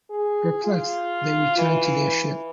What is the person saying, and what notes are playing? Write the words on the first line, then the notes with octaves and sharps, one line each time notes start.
Perplexed, they return to their ship.
G#4
F4
E3